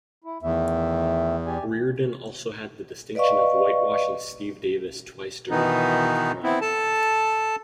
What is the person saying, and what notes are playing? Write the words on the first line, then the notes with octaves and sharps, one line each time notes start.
Reardon also had the distinction of whitewashing Steve Davis twice during the latter's prime.
E4
E2 D#3 A3 E5
G4 D5 G#5
B4 D5 D#5 F5 C#6
B2 D#3 E3 B3 D#4
B3 C4 E4
A4 A5